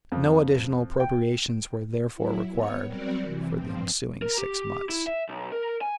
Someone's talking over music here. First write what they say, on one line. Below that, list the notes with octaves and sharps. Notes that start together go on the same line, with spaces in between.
No additional appropriations were therefore required for the ensuing six months.
F2
G5
F#3 E4
B3 C#5
F#3 G3 C4 F#4 A#4 D5
C3 E3
G2 F3 C4
A#4
G4
E4
E5
B1
A#4
G#5